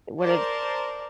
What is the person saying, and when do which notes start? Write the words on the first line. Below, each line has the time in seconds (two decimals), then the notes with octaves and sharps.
It would've
0.21 A#4 C5 D5 A5